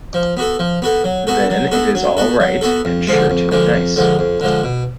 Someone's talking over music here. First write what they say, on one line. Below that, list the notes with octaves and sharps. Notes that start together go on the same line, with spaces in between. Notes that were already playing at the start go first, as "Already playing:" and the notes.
Then it is all right, and sure to be nice.
F3
B3 F#4 A4
F3
B3 F#4 A4
F#3
B3 F#4 A4
F#3
B3 F#4 A4
F#3
B3 F#4 A4
F#3
B3 F#4 A4
F2
D3 F3 G#3
F2
D3 F3 G#3
F2
D3 F3 G#3
F2
D3 F3 G#3
B2